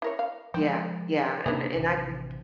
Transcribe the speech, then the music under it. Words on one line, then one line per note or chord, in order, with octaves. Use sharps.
Yeah, yeah, and and I can
E4 A#4 C#5
F5
F3 G#3 C4
C3 A#3 C4 D4 E4 G#4
A1 C3 D#3